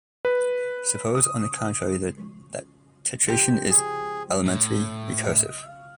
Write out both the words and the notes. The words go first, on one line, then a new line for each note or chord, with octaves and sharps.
Suppose on the contrary that tetration is elementary recursive.
B4
D#6
F3 G4
G#4
A2